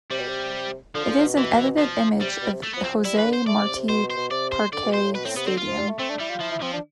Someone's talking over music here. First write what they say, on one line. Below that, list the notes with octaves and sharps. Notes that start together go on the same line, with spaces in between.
It is an edited image of Jose Marti Parque Stadium.
C3 G3
B2
C3
D3 F3
D3
A2
B2
E3
F3
C3 G3
B2
C3
A3
B3
F3
C4
F3
G3 E4
E3
B4
D3
C5
A3 D5
C3
C3
B2 C5
B2
C5
B2
C3 D5
C5
D3 D5
B2
B2 C5
A2
B2 B4
A2 C4
C3 B3
D3 C4
F4
F3
G3
A3
A3 C4
D4
G3 E4
F4
F3 E4
E4
F3 C4
D4